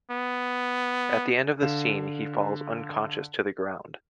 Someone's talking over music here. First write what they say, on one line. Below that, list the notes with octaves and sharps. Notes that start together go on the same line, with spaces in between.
At the end of the scene he falls unconscious to the ground.
B3
D3 F5 E7